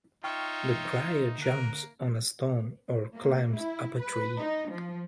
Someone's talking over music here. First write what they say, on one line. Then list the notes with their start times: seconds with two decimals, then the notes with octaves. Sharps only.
The crier jumps on a stone or climbs up a tree.
0.24 D#4 F4 C#5 E5 G5 C#6 F6
1.38 D3 A#3 A#4 F#6
3.15 A#3
3.56 E4
3.98 B4
4.38 D#4
4.71 F3